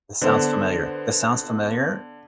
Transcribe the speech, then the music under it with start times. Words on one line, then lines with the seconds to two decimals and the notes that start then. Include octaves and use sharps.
This sounds familiar. This sounds familiar,
0.21 D3 B3 C5